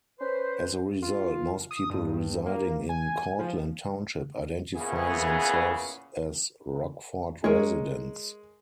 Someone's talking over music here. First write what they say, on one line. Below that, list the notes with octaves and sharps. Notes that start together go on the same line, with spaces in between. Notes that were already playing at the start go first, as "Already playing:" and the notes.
As a result, most people residing in Courtland Township identify themselves as Rockford residents.
C#4 B4 C5
F4
D#6
G2
A#3
G#5
F3
A#2 C#3 E3 B3 G#4
G#3 A#4 C#5